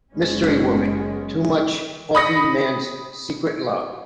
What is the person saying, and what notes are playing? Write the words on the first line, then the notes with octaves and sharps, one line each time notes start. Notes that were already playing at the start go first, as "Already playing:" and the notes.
Mystery Woman - Too Much Coffee Man's secret love.
F#1 G#3 B3 C#4
B5 D#6 A#6 C#7